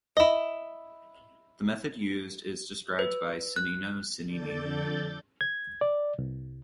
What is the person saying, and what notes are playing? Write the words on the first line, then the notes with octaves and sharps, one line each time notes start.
The method used is described by Cennino Cennini.
E4 D#5
B4
F#6
F2 D3 A4 D5 G6 A6
G#6
D5
C2